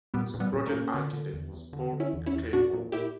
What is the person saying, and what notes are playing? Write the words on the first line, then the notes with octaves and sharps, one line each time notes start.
The project architect was Paul Cayford.
A#2 G3 B3
A#2
G3 B3
A#2
A#3 C#4
A#2
D3
D3
E2
E2
D3
D3
C#4 E4
E2
C#4 E4
E2
A#2 D4 F#4
A#2
A#2 E4 G4